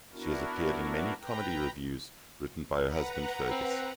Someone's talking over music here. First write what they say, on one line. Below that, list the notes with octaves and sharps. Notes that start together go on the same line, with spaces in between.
She has appeared in many comedy revues written by her husband Fergus.
B3 D4 E4 F#4 A#4
B4 G5 A#5
B4 F#5 A#5
C4